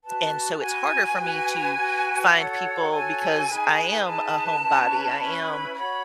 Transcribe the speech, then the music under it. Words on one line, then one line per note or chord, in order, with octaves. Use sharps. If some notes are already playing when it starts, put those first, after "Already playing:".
and so it's harder for me to find people because I am a homebody, I am
F#4 B4 A5
F#4 B4 G#5
F#4 B4
F#4 B4
G#5
F#4 A4 C#5 F#5
F#4 A4 C#5 G#5
D#4 G#4 B4
D#4 G#4 B4 A5
C#4 E4 B4
C#4 E4 B4 B5
F#4 C#5 B5